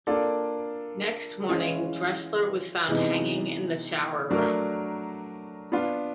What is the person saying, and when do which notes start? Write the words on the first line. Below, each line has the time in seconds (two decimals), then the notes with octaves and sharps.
Next morning Drechsler was found hanging in the shower room.
0.07 A#3 D4 F4 A4 D5
1.48 E3 G#3 C#4 F4
2.88 C3 E3 G#3 B3 D#4
4.30 F#3 A3 D4 F#4 A#4
5.72 B3 D4 F4